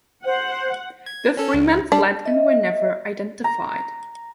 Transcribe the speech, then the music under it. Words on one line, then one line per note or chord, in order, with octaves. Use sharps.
The three men fled and were never identified.
C5 F#5
G#6
C#4 A4
C#2
G3 D4
D#5 E5
A#5